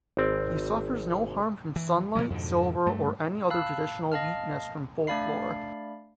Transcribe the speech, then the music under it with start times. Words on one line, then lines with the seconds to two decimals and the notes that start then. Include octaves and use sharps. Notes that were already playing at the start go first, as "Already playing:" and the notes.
He suffers no harm from sunlight, silver, or any other traditional weakness from folklore.
0.17 G#1 C4 D5
1.76 E3
2.15 A#2 D#3 F3 G#3
2.30 F2 G#2 B2 D3
2.86 G2 A3
3.50 F5 A5 B5 E6 F#6
4.12 D#5 F5 A5 F6
5.07 A3 D4 D5 F5 B5 C7